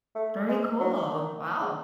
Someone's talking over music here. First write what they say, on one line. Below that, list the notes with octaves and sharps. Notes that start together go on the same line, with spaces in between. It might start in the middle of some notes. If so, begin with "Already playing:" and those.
Very cool, wow.
A3
G#3
F#3
D#3
C#3